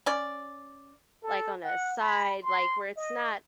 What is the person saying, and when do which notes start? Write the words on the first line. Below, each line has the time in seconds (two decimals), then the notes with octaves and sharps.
like, on a side like, where it's not
0.06 C#4 D5
1.23 A4
1.64 F#5
2.00 B5
2.42 C6
2.96 D#5